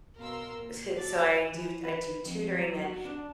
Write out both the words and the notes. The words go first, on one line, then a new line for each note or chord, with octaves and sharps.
d s so I do I do tutoring. And,
B2 A#4 F5 C6 E6
A#2
F#4 A4 D5 A6
E3
B4
F2
F#3
F#4
D4